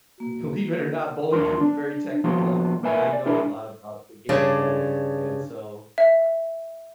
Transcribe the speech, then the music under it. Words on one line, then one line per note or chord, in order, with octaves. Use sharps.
believe it or not, bowling can be very technical, and I know a lot about the game of bowling, and so ah
A#3 F#4
D#2 D4 F4 A#4 C6
D4
F3 A#3 B3 F4 F#4
A#3 A#4 B4 E5 G#5
D5
D4 E4 G#4 A#4
G2 C#3 D5
E5